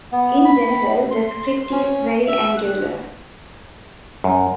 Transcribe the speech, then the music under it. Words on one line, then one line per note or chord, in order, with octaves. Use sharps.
In general the script is very angular.
B3
B5
C6
C6
C#4
E5
F#6
F#2